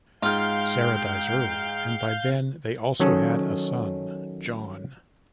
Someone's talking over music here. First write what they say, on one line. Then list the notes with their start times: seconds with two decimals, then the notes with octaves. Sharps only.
Sara dies early and by then they also had a son Jon.
0.22 G#2 F4 F5 G5 F6 G6
3.00 D#3 F#3 C#4 A4 D#5